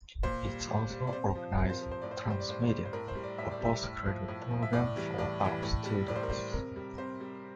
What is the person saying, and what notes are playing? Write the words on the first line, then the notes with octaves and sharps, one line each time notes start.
It also organizes Transmedia, a postgraduate programme for art students.
A#2 C5
G3
A#2
G3
D5
C3 C5
F3
C3 A#4
C5
F3
C5
A2 D5
C5
D5
G3 C5
D5
A2 C5
D5
G3 C5
C5
A2 A#4
C5
G3
D5
A2 E5
D5
G3 E5
A2
F3
A2
F3
E5
A2 D5
E3 G3
A2 D5
E3 G3
A2
G3
A2 D5
C5
A#4
G3 C5
C3 A#4
G3
C3 C5
G3